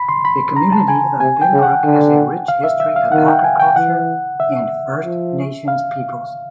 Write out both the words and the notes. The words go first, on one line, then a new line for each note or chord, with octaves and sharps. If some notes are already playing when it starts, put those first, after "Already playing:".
The community of Binbrook has a rich history of agriculture and First Nations peoples.
Already playing: B5
C6
B5
A#5
A5
G#5
C3 G#5
G5
C#3
F#5
D3
F5
E5
E5
F5
D#3 F#5
G5
G#5
G5
E3 F#5
E5
F3
F5